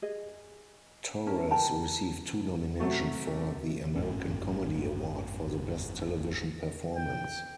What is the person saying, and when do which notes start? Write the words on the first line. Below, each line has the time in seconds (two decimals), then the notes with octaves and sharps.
Torres received two nominations for the American Comedy Award for the Best Television Performance.
0.02 G#4 D#5
1.27 C#4 E4 A#4 A5
1.50 A#4 G5 A5 A#5
2.79 C3 F#3 A3 F#4
3.96 G#1 F#2 A2 C#4
6.96 G5